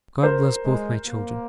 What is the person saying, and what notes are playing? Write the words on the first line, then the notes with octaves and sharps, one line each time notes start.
God bless both my children!
A#4 C5
G#3
A#3